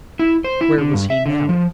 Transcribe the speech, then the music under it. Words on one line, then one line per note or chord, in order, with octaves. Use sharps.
Where was he now?
E4
C5
E4
D3
G2
E5
D3
F3